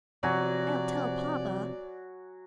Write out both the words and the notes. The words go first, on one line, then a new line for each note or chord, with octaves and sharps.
"I'll tell papa."
C3 F3 F#3 F#4 D5 G#5